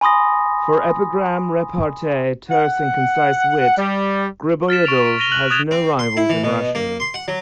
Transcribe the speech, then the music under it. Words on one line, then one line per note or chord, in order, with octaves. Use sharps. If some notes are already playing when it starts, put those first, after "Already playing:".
For epigram, repartee, terse and concise wit, Griboyedov has no rivals in Russian.
G#5 B5 C6 D#6 A#6
F#5
G3
F6 A6 B6 E7
C#6 D7 F7
D7
A#6 D#7 F7 G7
F#6 F#7
D#6 F#6 G#6 A6 E7 F7
C4
C6
E4
E3
B2
A#3
C6
F#5
F#3